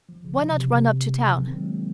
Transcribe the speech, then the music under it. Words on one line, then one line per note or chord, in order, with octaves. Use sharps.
Why not run up to town?
F3
C#3
C3
C3
C#3
C3
C3
C#3
D#3
C4
F#3
G#3
A#3